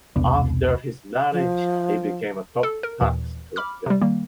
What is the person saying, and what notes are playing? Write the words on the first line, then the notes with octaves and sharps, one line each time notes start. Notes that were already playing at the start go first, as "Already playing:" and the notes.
After his marriage, he became a top tax collector.
E1 C2 B3 D4
F3
A4
A#4
D#2 A#2 E3
B5 D6 F6
C3 G3
D#3 G3 A#3